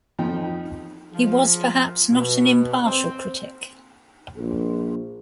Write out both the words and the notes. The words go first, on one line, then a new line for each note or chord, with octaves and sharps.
He was perhaps not an impartial critic.
F2 F3 D#4 G5
F3
B2
C4
A#1